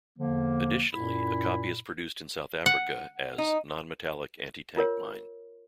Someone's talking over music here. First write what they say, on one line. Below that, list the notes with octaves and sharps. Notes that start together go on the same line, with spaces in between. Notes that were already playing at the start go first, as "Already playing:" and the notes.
Additionally, a copy is produced in South Africa as "Non-metallic anti-tank mine".
E2 D3 F3 A#3
F#2 A#2 E4 B5
F#5
D#4
F4 A#4 C#5